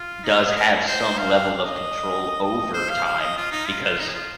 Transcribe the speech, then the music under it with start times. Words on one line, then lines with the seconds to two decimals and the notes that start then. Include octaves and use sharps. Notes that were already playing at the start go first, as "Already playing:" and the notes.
does have some level of control over time because
Already playing: F4
0.24 D#4
0.35 F4
0.45 G#4
0.56 A#4
0.87 C5
1.18 F5
1.65 D#5
2.43 D#5
2.74 C5
2.90 F5
3.05 F5
3.21 D#5
3.37 F4
3.52 D#4
3.67 F4
3.83 F4
3.99 D#4
4.08 G#4
4.14 F4